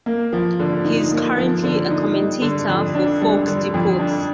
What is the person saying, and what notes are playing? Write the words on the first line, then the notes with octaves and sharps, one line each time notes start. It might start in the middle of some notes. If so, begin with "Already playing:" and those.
He's currently a commentator for Fox Deportes.
A#3
F3
D3
D#4
A#3
F3
D3
D#4
G3
D3
F2
D4
G3
D3
F2
D4